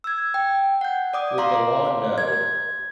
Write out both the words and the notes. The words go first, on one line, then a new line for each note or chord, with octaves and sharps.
With the law no.
E6 G#6
G5
F#5 G6
D5 D6 D#6
F5 A#5 C6 D6
G#6